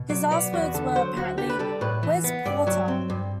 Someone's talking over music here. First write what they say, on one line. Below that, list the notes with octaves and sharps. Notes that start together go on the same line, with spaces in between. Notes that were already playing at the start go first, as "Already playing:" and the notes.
His last words were, apparently, Where's Porter?
Already playing: B2
F#3 D5
B3 D5
E2 F#4
D3 A4
F#3 C5
D2 F#4
D3 G4
B4
G3 A4
A2 B4
E3
B3
G2 D5
F#3 E5
C4
G2